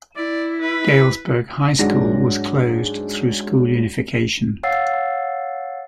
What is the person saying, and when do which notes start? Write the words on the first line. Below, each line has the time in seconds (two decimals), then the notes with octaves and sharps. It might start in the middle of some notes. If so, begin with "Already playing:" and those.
Galesburg High School was closed through school unification.
0.16 E4 D5
0.61 B4
1.79 G#2 F#3 G#3 D4 F#5 A#6
4.63 C#5 F5 F#5 E6 A6 C7